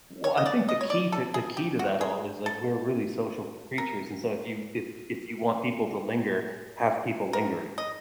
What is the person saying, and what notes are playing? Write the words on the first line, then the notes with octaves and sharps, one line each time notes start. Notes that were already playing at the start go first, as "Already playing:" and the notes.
Well, I think the key to the key to that all is, like, we're really social creatures, and so if you if if you want people to linger, have people lingering,
C#5
D#5
D5
D#5
C#5
D5
A4
G#4
G4
F#4
G#4
A4
A#4
A#4
D#5